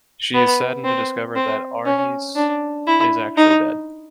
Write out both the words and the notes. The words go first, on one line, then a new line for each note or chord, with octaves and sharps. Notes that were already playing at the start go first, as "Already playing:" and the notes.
She is saddened to discover that Arhys is actually dead.
B3
C4
C4
C#4
D4
E4
D#4